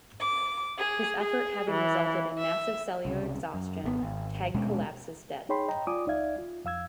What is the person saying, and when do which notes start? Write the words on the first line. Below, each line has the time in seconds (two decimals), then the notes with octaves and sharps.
His effort having resulted in massive cellular exhaustion, Teg collapses dead.
0.20 D6
0.77 G#4
1.20 G#4
1.72 E3
2.37 E5
3.05 C2 C#3
3.54 F#2
3.84 G#1 C3 B3
4.03 G#1
4.54 D#1 B2 G#3 C#4
5.49 D#4 G#4 C#5 G5 B5 C6
5.68 D#5 G5 A#5
5.87 F4 D5 G#5 D6 D#6
6.07 C#2 D#4 D5 E5 F5 G#6
6.38 F4
6.65 F2 F5 E6 G#6